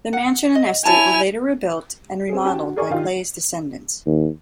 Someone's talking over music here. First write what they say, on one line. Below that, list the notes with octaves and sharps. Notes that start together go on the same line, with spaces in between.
The mansion and estate were later rebuilt and remodeled by Clay's descendants.
F#5
D#5
E4 C#5 G#5 A5 F7
C4 G#4
C#4 F#4 G4 G5 A5
F#4
G#4 A#4 D5 G#5 C#6
D#3 D4 F4 G4
D#2